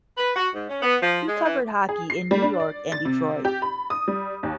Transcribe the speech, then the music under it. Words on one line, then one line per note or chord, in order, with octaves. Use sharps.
He covered hockey in New York and Detroit.
B4
F#4
G#2
C#4
B3
F3
G#3
E3
G#4
C7
G3
D4
D5
A6
C3
G4
B5
D#6
G3
D#2